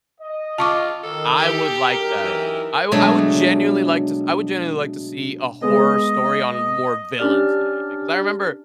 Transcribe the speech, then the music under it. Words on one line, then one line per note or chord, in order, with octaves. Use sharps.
I would like that. I wou I would genuinely like to s I would genuinely like to see a horror story on more villains than anything, 'cause I remember
D#5
F4 A5 C#6 D6
D#3 A4
G4
F#2 D#4 A#4
E3
B2 F#3 G#3 A3 D4
G#3 B3 G#4 D#5
C#4 D4 G4 D5 F6